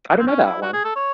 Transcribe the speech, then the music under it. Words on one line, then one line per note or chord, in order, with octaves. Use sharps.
I don't know that one.
C4
C#4
E4
F#4
G#4
A4
C#5